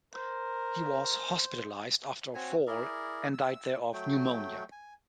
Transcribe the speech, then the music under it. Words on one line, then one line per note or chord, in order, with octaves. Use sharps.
He was hospitalized after a fall and died there of pneumonia.
A#4 C5
C4 F#4 C#5 G#5
E4 G#4 A#4 D5
E6
F#3 A3 G5
G#5